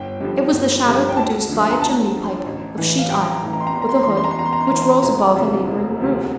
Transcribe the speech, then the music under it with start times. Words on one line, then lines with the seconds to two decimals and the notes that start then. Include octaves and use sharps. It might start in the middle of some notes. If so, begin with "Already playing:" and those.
It was the shadow produced by a chimney-pipe of sheet iron, with a hood, which rose above a neighboring roof.
Already playing: G1 G5
0.20 G2 D3 F3
0.53 G1
0.85 G2 D3 F3
1.09 G5
1.17 D2 A5
1.49 D3 F3
1.71 A#5
1.81 D2 A5
2.13 D3 F3
2.46 A1
2.77 A2 E3
2.99 F5
3.10 A1 G5
3.32 A#5
3.42 A2 E3
3.53 A#5
3.61 C6
3.67 A#5
3.74 E2 C6
3.82 A#5
3.89 C6
3.96 A#5
4.03 C6
4.07 E3 A#5
4.17 C6
4.24 A#5
4.31 C6
4.39 E2 A#5
4.45 C6
4.53 A#5
4.60 C6
4.67 A#5
4.71 E3 C6
4.82 A#5
5.03 E1 A#5
5.36 D2 C3 F3
5.67 E1
5.99 D2 C3 F3